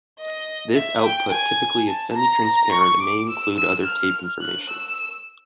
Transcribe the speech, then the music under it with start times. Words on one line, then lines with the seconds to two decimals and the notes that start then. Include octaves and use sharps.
This output typically is semi-transparent and may include other tape information.
0.19 D#5
0.75 E5
1.05 G5
1.32 G#5
1.88 A5
2.16 A#5
2.45 A#5
2.72 C#6
3.00 D6
3.29 E6
3.56 E6
3.85 F6
4.42 F#6
4.68 E6